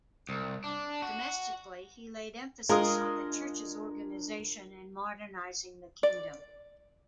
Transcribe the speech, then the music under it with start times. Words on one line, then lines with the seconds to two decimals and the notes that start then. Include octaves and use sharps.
Domestically he laid emphasis on the church's organization and modernizing the kingdom.
0.29 C2
0.64 D4
1.02 F#4
2.69 G#3 D4 F4 A#4 D#5 D#6
6.03 D5